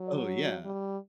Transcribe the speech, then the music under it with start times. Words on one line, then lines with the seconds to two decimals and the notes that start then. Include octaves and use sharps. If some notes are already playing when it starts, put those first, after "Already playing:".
Oh, yeah.
Already playing: F#3
0.65 G3